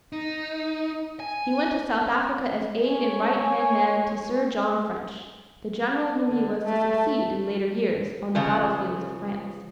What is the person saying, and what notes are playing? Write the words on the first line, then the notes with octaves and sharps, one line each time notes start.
He went to South Africa as aide and right-hand man to Sir John French--the general whom he was to succeed in later years on the battlefields of France.
D#4
G#5
C#5 G#5
D3
A3
E2 C#3 F3